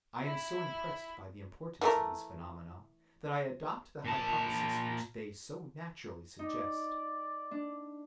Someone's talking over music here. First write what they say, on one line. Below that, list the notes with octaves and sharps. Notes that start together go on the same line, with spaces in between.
I am so impressed by the importance of these phenomena that I adopt the hypothesis which they so naturally suggest.
E4 B5
E3 A3 A#4
A#2 A5
D#4 D5
D4